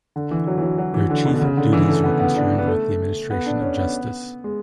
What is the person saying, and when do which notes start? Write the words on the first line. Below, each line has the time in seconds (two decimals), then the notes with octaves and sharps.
Their chief duties were concerned with the administration of justice.
0.16 D3
0.31 E3
0.47 F#3
0.58 E3
0.63 F#3
0.78 F#3
0.94 E3
1.10 D3
1.26 B2
1.35 D3
1.42 C#3
1.57 D3
1.73 E3
1.89 A3
2.04 B3
2.20 B3
2.36 D4
2.58 B3
2.67 A3
3.30 B3
3.46 D4
3.61 C#4
3.77 B3
4.44 G#3